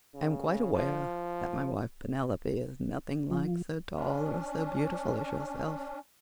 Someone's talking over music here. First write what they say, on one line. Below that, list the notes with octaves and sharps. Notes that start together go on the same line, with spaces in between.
I am quite aware that my wife Penelope is nothing like so tall or so beautiful as yourself.
C#3
F3
F3
C#4 D4